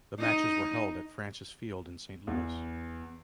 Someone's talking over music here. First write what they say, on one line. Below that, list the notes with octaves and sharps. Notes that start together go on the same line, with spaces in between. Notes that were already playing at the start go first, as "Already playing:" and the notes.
The matches were held at Francis Field in Saint Louis.
D#4
E2